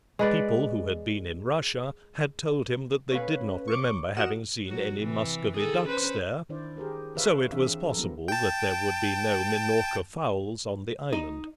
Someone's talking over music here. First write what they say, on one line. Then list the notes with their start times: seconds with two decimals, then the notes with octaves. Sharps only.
People who had been in Russia had told him that they did not remember having seen any Muscovy ducks there, so it was possible that there would be no Minorca fowls on the island.
0.19 G#3 B4 D5
3.11 C#4 A4 B4 C#5 F5
3.68 C#6 D6
4.17 F#4 A#4 D#5 F#5 E7
4.65 F#3 F#4
4.99 C3 E3
5.57 D#3 G#4 A4
5.87 C#4 B4 C5
6.49 D#3 D4 E4 C5 D5
6.77 G4 G#4 A#4 C5
7.15 A#4 B4 C#5 E5 F5
7.52 E3 C4 D4 G#4 E5 F5
7.85 A4 A#4
7.97 F3 F#3 B3 E4
8.28 G5 A5
11.13 D#4